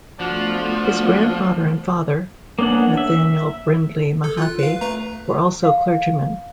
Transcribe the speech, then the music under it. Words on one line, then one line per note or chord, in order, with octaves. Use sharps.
His grandfather and father, Nathaniel Brindley Mahaffy, were also clergymen.
F3 A3 B3 D4 F#4
A#3 B3 C#4 D4 F#5
E5
A4
F4 F#6
B4 F5
A3 B4 A#5
F5